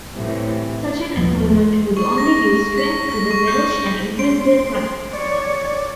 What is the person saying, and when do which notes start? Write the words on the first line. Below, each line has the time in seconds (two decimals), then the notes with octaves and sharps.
Such an appointment would only give strength to the Welsh and increase their pride.
0.15 A2 C3 E3
1.17 D#1 F3 B3
1.97 C#6
2.18 A#6
2.78 B6
3.09 A#6
3.31 C#6
3.47 G6
4.19 C6 D7
5.13 C#5 D5